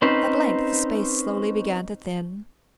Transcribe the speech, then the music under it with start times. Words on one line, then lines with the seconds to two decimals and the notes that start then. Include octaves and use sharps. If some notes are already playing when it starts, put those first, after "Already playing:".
At length the space slowly began to thin.
0.02 C4 C#4 D#4 B4 C5